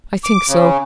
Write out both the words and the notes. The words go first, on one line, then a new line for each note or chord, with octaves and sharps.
I think so.
D6
C#3